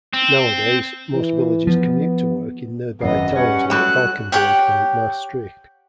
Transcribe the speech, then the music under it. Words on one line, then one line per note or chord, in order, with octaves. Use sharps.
Nowadays, most villagers commute to work in nearby towns like Valkenburg and Maastricht.
C4
E3
F3 B3
G#1 F#2 B3 D#5 C7
G3 C#4 B4 F#5 G#6
F#3 G3 A3 G5 F#6
G4 C#5 F#5 G5